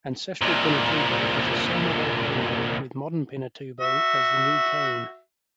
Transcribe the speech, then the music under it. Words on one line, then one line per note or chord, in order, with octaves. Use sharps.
Ancestral Pinatubo is a somma volcano with modern Pinatubo as the new cone.
C2 A#2
F#4 E5